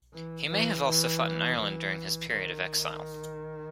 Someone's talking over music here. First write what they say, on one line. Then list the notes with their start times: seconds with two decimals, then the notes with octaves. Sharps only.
He may also have fought in Ireland during this period of exile.
0.13 E3
0.48 E3
0.85 E3
1.57 E3
2.30 D#3